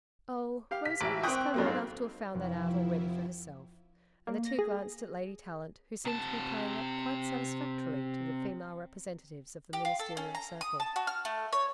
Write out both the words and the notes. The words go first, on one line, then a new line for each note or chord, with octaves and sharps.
'Oh, Rosamond is clever enough to have found that out already for herself;' and the two glanced at Lady Tallant, who seemed to be playing up quite satisfactorily to the female representatives of the Ministerial circle.
G4 F5
B6
A1 G#2 E5 D7
C4 G5 C#6 D#6 F#6
F2 F#3 A#3
G#2 C4 F5
F1 F2 F3 E4
A#3
A#6
G#4
C3 A5
G4
F4
A4
C#4
A#5
D#6
A5
F#4
F6
A3
C#5